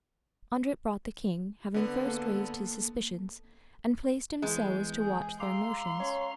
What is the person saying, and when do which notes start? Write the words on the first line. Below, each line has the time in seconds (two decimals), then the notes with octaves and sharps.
Andret brought the king, having first raised his suspicions, and placed him so as to watch their motions.
1.74 D3 B3
2.05 A#3 A4
4.42 E2 G#3 G6
5.00 G#4
5.40 F5 A#5 C6 D6 E6
6.00 C#4 C#5